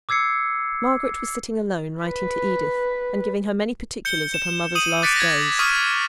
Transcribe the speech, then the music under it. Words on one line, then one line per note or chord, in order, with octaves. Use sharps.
Margaret was sitting alone, writing to Edith, and giving her many particulars of her mother's last days.
D6 E6 G#6 C7 C#7
B4
G6 C#7 G7
E7
D#6 D#7 F#7
D6 F#6 A6 B6 C#7 D7
G#6 A#6
C#6 D#6 F6 B6 D#7